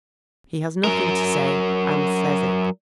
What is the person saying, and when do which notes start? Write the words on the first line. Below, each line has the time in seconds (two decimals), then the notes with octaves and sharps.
He has nothing to say and says it.
0.84 F#3 A#4